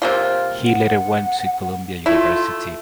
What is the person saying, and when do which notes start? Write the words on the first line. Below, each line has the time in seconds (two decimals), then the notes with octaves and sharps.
He later went to Columbia University.
0.02 C3 A#3 F4
0.65 F#5
2.06 A3 E4 F4